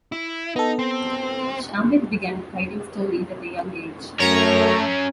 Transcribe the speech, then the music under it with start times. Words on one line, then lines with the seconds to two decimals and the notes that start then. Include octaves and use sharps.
Shamir began writing stories at a young age.
0.12 E4
0.56 B3 D#4 A4
0.79 C4
4.20 F#2 A3 C#4 A#4 C#5 A#5